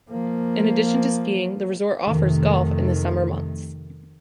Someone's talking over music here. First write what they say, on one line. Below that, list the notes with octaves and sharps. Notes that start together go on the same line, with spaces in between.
In addition to skiing, the resort offers golf in the summer months.
F3 A#3
F2 C3 D#3 A3